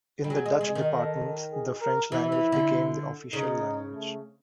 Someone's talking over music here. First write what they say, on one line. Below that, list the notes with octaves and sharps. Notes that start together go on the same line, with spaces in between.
In the Dutch departments the French language became the official language.
G3
F#3 G#4
G#3
G#3
D#3
A4
G#4
A#4
E3 E4
E3
D3
C#3 D#4
A3